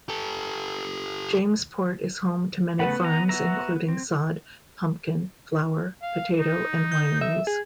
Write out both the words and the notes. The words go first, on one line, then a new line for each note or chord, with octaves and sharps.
Jamesport is home to many farms including sod, pumpkin, flower, potato and wineries.
G4 A4
C#3 A3 B3 B4 F#5 B5
A#5
F#4 E5 A#5
C4
F5
D#4
G6
E5
G#4